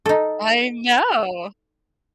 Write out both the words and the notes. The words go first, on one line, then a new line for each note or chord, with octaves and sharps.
I know!
D#4 A4